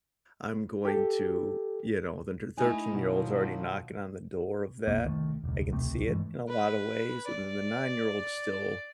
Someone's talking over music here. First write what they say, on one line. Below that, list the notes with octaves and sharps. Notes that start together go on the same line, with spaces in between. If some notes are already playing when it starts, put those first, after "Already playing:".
I'm going to, you know then tur thirteen-year-old's already knocking on the door of that. I can see it, in a lotta ways, and then the nine-year-old's still
G4 A4
A3 D#4 E4 G#5
B2 D#3 F3 F#3
B1 F2 A#3
C2 D#3 A3
E1 C#2
D1 B1 C3 A3
G2 E3 G#3 A3
B4
D5